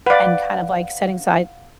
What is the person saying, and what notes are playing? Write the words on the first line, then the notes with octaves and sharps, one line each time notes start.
and kind of like setting aside
B4 D5 F5 F#5